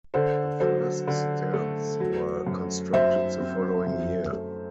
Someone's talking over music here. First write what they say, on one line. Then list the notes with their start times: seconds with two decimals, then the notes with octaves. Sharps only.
The first stands were constructed the following year.
0.14 D3 A4 C5
0.60 F#3 A4 C5
1.07 D3
1.53 A3
2.00 F#3
2.47 F#2
2.93 F#2 C5 E5
3.40 C4
3.87 F#2
4.33 A3